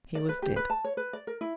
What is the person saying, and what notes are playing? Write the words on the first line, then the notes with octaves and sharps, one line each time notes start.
He was dead!
D5
B4
G4
B4
A5
C#5
B4
D5
A#4
E4